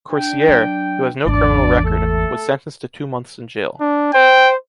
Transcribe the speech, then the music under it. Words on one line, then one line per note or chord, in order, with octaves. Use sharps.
Coursier, who has no criminal record, was sentenced to two months in jail.
D4 G5
F#3
G#1 E2 D4 D5
A3 A4
D4
C5 G5